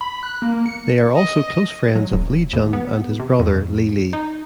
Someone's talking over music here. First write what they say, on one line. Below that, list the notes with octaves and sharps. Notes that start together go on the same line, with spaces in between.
They are also close friends of Li Jun and his brother Li Li.
B5
F#6
A#3
C#7
D#5
F#3
D#1
D#2
B3
C3
F2
D#4